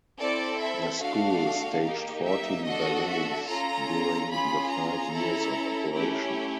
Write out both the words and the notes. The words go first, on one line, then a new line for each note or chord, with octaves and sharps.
The school staged fourteen ballets during the five years of operation.
C4 E4 A4 D5
E5
A3 D4 F#4 F5
A#3 D#4 G4
E5
D4 F#4 A4 D#5
E5
C#4 F4 A4 A#5
C#4 F4 G#4 B5
A#5
C#4 E4 A4
A3 C#4 E4 G4